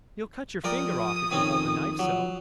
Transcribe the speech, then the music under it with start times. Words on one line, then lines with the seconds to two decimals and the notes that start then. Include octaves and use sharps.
"You'll cut your finger off, if you hold the knife so!"
0.64 F3 A#4 D5 G5 D#6
1.31 F2 D#3 C4 C#4
1.99 F3 F#3